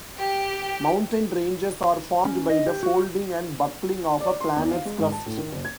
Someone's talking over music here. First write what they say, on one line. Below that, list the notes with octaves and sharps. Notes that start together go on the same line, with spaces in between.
Mountain ranges are formed by the folding and buckling of a planet's crust.
G4
C#4
D#5
G4
F#4
D5
C6
E2
F5
G#3
G#2
A5
A2
D#3
F#1
G#6